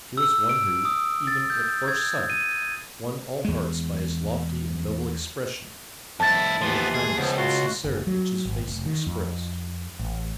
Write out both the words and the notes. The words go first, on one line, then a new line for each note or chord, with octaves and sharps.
He was one who, even at first sight, won all hearts by his lofty and noble expression, by the kindness and sincerity which his face expressed.
E6
D7
D#6
A6
G6
G#6
D#7
E2 G#3
F2 E4 A5 A6
D#2 E3 F3 B3 C6
G#4
C#2 F3 B3
F4 F#4 C6
F#1
F#3
G#1
F1
D#3
F2
A1